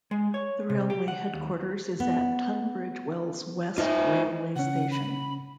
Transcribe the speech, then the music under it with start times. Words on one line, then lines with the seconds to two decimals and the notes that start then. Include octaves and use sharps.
The railway headquarters is at Tunbridge Wells West railway station.
0.11 G#3
0.34 C#5
0.70 C3
0.90 G4
1.08 F#5
1.34 D#2
2.00 B3
3.78 D#4 F4 C5 E5
4.56 C#3 C#4 F#5
4.92 B5